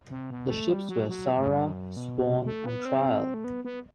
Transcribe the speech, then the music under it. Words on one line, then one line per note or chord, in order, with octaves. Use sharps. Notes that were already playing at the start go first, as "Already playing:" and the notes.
The ships were "Sara", "Swan", and "Trial".
C3
B2
A3
G3
F#3
F#3
A2
G2
F#2
B2
C3
A3
B3
C4
A3
B3
B3